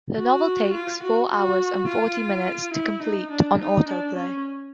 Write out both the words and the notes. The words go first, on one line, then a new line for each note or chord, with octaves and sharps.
The novel takes four hours and forty minutes to complete on auto play.
F#4
F4
F#4
F#4
F4
E4
D#4
D4
D#4
D4
C#4